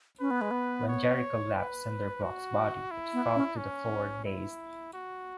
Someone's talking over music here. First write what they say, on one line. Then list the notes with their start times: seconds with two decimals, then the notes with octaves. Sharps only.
When Jericho left Cinderblock's body, it fell to the floor dazed.
0.20 C#4 B4
0.31 B3
0.41 G#3
0.51 B3
0.88 C#5
1.55 B4
2.23 F#4
2.91 E4
3.13 B3
3.35 C#4
3.57 C#4
4.25 E4
4.93 F#4